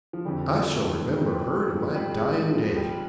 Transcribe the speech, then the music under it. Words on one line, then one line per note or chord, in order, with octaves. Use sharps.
I shall remember her to my dying day.
F3
F2 D3 G3
F3
G3
G#3
G3
G#3
F3
G3
G#3
G#3
F3
G3